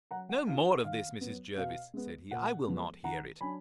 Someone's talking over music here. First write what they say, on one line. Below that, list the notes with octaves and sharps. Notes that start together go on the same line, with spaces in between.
No more of this, Mrs. Jervis! said he; I will not hear it.
F#3 F#5 A#5
F#5
D4 F4 F5
F#5
D#3 F5
F#3 B3
B2 F5
G#3 B3
A#2 F#5
F3 G#3 B3
D#3 F#5 A#5
F#3 D4 G#5 B5